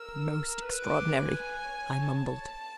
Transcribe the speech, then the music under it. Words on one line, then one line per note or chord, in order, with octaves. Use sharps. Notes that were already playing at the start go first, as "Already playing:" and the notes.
"Most extraordinary!" I mumbled.
Already playing: A#4 E6
A#4
B4
D6
G#5
C#5
A5